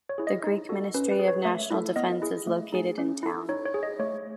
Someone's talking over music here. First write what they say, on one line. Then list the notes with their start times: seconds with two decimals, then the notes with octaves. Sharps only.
The Greek Ministry of National Defense is located in town.
0.09 C#5
0.18 E4 G#4
0.27 D#5
0.44 D#4
0.69 F#4 A4
0.94 C#4 B4
1.11 B4
1.19 G#4
1.28 C#5
1.45 A3 E5
1.70 E4 A4
1.96 B3 D#5
2.22 E4 G#4
2.47 A3
2.72 D#4 G#4
2.98 C#4
3.23 E4 A4
3.49 D#4 C#5
3.65 C#5
3.74 G#4
3.83 D#5
3.99 A3 C#5